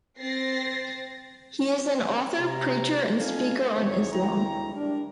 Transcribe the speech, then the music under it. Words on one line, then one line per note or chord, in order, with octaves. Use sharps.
He is an author, preacher and speaker on Islam.
C4 A6 A#6 C7
C3 A#5
C4 D#4 F4 A4 F5 G#5
G#1 E2 G#2 C3 C#5
D2 E4 G#4 G5 A#5
D4 G4 A#4